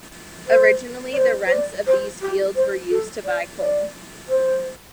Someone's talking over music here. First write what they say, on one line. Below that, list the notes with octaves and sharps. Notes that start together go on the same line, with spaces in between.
Originally the rents of these fields were used to buy coal.
C5
D5
C5
C5
D5
C5
G4
C5
A4
D5
D5
C5